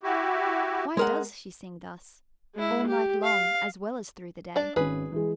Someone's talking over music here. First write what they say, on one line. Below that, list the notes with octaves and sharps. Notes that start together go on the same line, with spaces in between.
Why does she sing thus, all night long as well as through the day?
E4 F#4 G4
G#3 A#4 F#5
G#3 E4
G4
F5
D4 D5
G#1 C#4 G#4 B4
E3 G#3